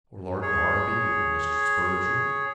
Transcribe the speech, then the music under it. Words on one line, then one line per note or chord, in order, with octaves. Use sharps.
Or Lord Derby, or Mr. Spurgeon.
G#4 C#5